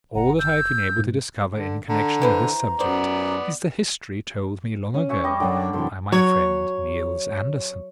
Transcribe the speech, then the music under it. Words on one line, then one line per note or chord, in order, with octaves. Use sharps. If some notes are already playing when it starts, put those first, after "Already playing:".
All that I have been able to discover in connection with this subject is the history told me long ago by my friend Niels Andersen.
F#1 F#5 A#5
E6 G6
G#2
D3
D3 A#5
E3 B4 C5
F#2 B3 C5 D5
C#4
E5 G#5 C#6
G3 D#5 D6
F#2 D3 D4 G5
F#2 C3 E3 A4 C6
F#3 C#5